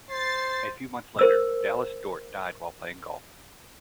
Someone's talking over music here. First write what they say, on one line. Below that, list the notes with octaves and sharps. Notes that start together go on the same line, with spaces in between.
A few months later, Dallas Dort died while playing golf.
C5 A6 C7
A#4 C5 E6